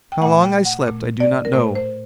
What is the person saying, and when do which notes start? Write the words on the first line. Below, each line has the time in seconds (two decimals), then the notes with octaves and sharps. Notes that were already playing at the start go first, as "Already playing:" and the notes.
How long I slept I do not know.
0.12 G5
0.21 A#2 A3 F#5
0.44 G5
0.65 F#5
0.87 A#2 A3
1.20 D5
1.45 A#4
1.53 A2 A3 C5
1.75 C5